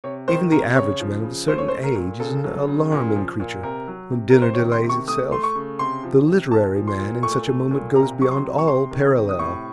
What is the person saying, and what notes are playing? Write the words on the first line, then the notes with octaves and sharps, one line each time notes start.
Even the average man of a certain age is an alarming creature when dinner delays itself; the literary man in such a moment goes beyond all parallel.
C3 C#5
D#3 C5
C3 A#4
C#3 C#5
F3
C#3
A3 C5
C#5
C5
A3
A#4
A#2
C#3 A4
F#3
C#3
A#2
F3
A#2
C3 A#4
F#3
C3
A#4
C3
C5
C#5
D#3
C6
C3
C#6
A3 D#6
A3 C6
C#6
C#3
C3 C6
F3
C3
A#2 A5
F3
C6
A#2
A3 C#6
A3
A#2
C3 A#5
F#3 C#6
C6
C3
C#6
C3 C6
D#3
C3
D#6
A2 C#6